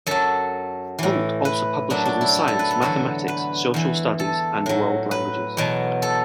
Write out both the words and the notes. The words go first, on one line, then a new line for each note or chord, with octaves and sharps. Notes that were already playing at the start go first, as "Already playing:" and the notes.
Holt also publishes in science, mathematics, social studies, and world languages.
F#2 F#3 A4
A2 E3
B4
F#2 F#3 D4
D4
E4
E4
A4
B4
A4
E2 D3 F#3 F#4
B4
E2 E3
A4
A2 F#3
B4
E2 B2 F#3
A4